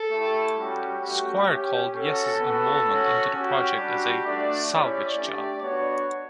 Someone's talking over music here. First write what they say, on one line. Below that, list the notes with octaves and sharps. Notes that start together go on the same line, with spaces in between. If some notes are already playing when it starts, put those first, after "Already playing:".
Squire called Yes's involvement into the project as a "salvage job".
Already playing: A4
A3 E4 G4
G3 C#4 F#4 G4
A3 C#4 F#4 G4
C#4 G4
C#4 F#4 A4
B3 F#4
C#4 F#4
C#4 F#4 G4
G3 D4 F#4
A3 D4 F#4 D5
C#4 E4 G4 D5
A3 D4 G4
B3 D4 F#4 C#5